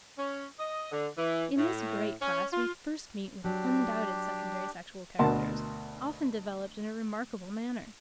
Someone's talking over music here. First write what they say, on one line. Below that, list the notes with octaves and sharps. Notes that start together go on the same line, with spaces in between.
In this great class we first meet with undoubted secondary sexual characters, often developed in a remarkable manner.
C#4
D#5
D3
E3
A2
C#4
F4
F#3 D4 G4
D2 B2 A#4 F#5 A5 C6